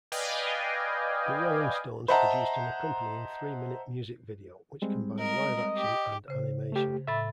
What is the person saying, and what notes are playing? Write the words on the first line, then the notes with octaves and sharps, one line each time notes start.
The Rolling Stones produced an accompanying three-minute music video, which combined live-action and animation.
B4 D5 D#5 F5 G5 G#5
C5 D#5 E5 F#5 A5 A#5
G3 G#3 C4
A#4 D#5
G4
C#3 C5
A3 G4
A2 E5 B5 A6